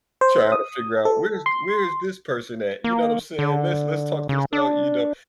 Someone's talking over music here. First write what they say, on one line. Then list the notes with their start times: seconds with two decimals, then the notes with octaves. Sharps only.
Trying to figure out "Where's where's this person at?" You know what I'm saying, let's let's talk this out, you know,
0.21 C5
0.52 D#6
1.05 A4
1.46 C6
2.84 A#3
3.39 D3
4.29 C#3
4.53 D4